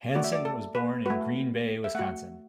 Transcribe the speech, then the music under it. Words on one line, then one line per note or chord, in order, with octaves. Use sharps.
Hansen was born in Green Bay, Wisconsin.
A3 F#4 D5
E5
D5
A4
B4
A3 F#4 B4
E5
A3 F#4 F#5